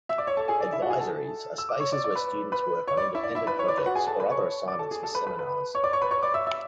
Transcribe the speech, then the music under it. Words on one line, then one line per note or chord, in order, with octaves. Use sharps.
Advisories are spaces where students work on independent projects or other assignments for seminars.
E5 E6
D5 D6
C#5 C#6
A4 A5
G#4 G#5
D5
E4 E5
F#4 F#5
G#4 G#5
A4 A5
E6
D6
C#5 C#6
D5 D6
D5 D6
B4 B5
B4 B5
C#5 C#6
D5 D6
E4 E5
D5
E4 E5
B4 B5
C#5 C#6
D5 D6
B4 B5
F#4 F#5
G#4 G#5
A4 A5
B4 B5
C#5 C#6
D5 D6
A4 A5
G#4 G#5
A4 A5
B4 B5
B4 B5
B4 B5
C#5 C#6
D5 D6
C#5 C#6
B4 B5
C#5 C#6
D5 D6
E5 E6
E5 E6